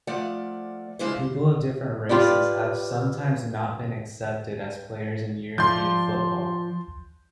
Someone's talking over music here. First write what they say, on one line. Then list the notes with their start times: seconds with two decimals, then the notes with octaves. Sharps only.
People of different races have sometimes not been accepted as players in European football.
0.07 F3 A3 D5 F#5
0.99 C#3 F3 G#3 D4 E4 C5
2.09 F4 G4 B4 D5
5.58 F3 D5 C6 G6